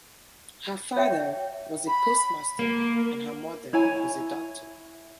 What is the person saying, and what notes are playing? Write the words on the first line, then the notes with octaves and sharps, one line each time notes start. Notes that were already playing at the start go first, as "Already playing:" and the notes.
Her father was a postmaster and her mother was a doctor.
C#5 E5 G5
B5
A#3
E4 C#5 G#5